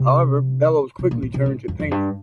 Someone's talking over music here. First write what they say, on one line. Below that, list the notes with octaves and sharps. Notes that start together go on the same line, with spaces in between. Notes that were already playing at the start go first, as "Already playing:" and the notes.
However, Bellows quickly turned to painting.
Already playing: C3
C3
A#2
A#2
C3
G#2
F2
F2
G2